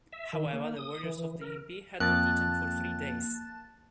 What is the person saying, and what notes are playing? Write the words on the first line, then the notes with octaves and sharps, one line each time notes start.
However, the warriors of the impi had not eaten for three days.
E5
D#3
A#3
D#6
E3
A#4
F2 A#3 A5 F#6 A6